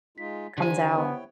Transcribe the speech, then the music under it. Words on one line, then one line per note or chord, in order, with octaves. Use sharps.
comes out.
G#3 D#4 F4 B6
D3 F4 G4 C5 G#5 A#5
B3 E4 C#5 G5